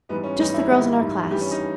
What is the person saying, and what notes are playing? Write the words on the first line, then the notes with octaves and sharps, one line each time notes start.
"Just the girls in our class."
G#2 E3 G3 B3
C#4
G#2 E3 G3 D#4
E4
G#2 D#3 G3 E4
G#2 D#3 G3
G2 E3 G3 G4
C#4
D#4